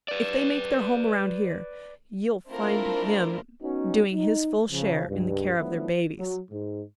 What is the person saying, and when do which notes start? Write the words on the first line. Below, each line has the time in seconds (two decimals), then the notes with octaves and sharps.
If they make their home around here you'll find him doing his full share in the care of their babies.
0.08 B4 D5
2.50 A3 C4 D4 E4 F4 A#4
3.62 B3 C#4 D#4 F#4
4.13 D#4
4.71 C#3 F3
5.08 C#2 G2
5.58 F3 F#3 A3 B3 D4 E4
6.19 F#3
6.51 G#2